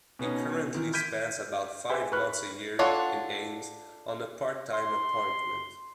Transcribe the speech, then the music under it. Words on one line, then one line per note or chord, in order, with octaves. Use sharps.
He currently spends about five months a year in Ames on a part-time appointment.
B2 B3 C#4 D#4
D#3 E3
F6 G6 G#6 B6 D7 D#7
G4 G#4 B4 C5 E5 G5
A#4 B4 B5 C#6 F6 F#6
D4 F4 A4 C#5 F#5
C6